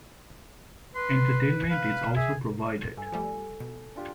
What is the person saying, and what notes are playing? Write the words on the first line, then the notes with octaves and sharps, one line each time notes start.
Entertainment is also provided.
B4 C6
B4 F5
G#4 E5 G#5
G2 A4 G#5
F3 G3 A3
B2
D4 F4 G4